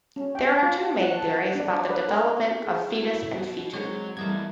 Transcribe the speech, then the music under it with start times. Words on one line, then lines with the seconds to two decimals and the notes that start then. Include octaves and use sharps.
There are two main theories about the development of fetus in fetu.
0.16 C#4
0.35 G5
0.63 F4
0.78 A5
1.02 F#5
1.16 A5
1.39 F#5
1.55 D4
1.70 D5
1.90 B4
2.08 A#4
2.60 G#4
2.92 E4 F#4
3.35 B2 F#4
3.73 F#3 G#3 C4 F#4 C#5
4.17 F2 E3 G3 A3 A#4 D#5 G#6